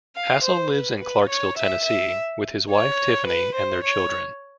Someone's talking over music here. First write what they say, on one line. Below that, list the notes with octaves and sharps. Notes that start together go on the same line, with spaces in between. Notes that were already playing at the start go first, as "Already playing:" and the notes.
Hassell lives in Clarksville, Tennessee with his wife Tiffany and their children.
F5
C5
B4
B4
C#5
E5
E5
C#5
B4
C5
C#5